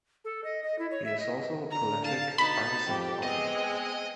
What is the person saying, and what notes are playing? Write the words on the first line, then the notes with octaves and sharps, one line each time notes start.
He is also a prolific artisan potter.
A4
D#5
D#5
E4
C#5
E5
D#5
D3 A#5
F5 A5
B2 D#4 B5
F2 G4 G5
G#3 B3 C4 D#5